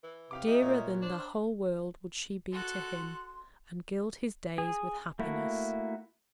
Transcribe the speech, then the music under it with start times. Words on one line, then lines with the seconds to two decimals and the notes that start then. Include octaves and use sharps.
Dearer than the whole world would she be to him and gild his days with happiness.
0.03 E3
0.31 C3 G4 F5 D6
0.47 E3 D#4 E5
0.62 A#2 C#5
1.02 D4 C5
2.52 F#4 A4 C6 F#6
4.58 G#4
5.19 A3 A#3 E4 F#4